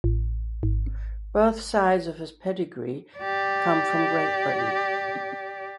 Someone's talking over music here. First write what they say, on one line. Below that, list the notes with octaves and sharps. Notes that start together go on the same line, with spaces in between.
Both sides of his pedigree come from Great Britain.
A1
G#1
G4 D5